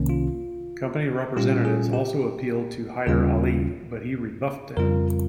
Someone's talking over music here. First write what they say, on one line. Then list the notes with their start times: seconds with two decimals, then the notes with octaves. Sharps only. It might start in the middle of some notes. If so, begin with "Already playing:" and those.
Company representatives also appealed to Hyder Ali, but he rebuffed them.
Already playing: C2 C3 D#3 A#3 C#4
0.10 F4
1.36 A#2 G3 C#4 F4 G4
1.65 G#4
1.93 G4
3.07 D#2 C#3 G3 C#4 F4 G#4
4.77 F2 C#3 G3 C4 F4 A#4